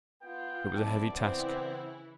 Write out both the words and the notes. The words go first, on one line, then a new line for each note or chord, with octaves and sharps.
It was a heavy task.
B3 F4 G5
F#3 C4 E4 D5 A5
C#3 E3 B3 C4 E4